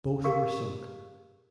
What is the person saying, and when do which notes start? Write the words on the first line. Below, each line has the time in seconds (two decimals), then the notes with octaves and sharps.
Both were sunk.
0.24 G4 G#4 A#4 F5 C#6